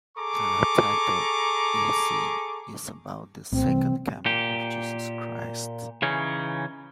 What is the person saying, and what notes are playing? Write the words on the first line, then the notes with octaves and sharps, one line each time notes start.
The title essay is about the Second Coming of Jesus Christ.
G#4 A4 A#5 C#6 D6
C2 A#2 A3 C4
C3 E3 G3
A#2 G4
C#3 E3 C#4 D#4